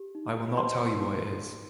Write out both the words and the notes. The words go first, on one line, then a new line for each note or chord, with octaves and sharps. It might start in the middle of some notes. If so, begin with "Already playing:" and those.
I will not tell you what it is.
Already playing: G4
D#4
C5 C6
D#4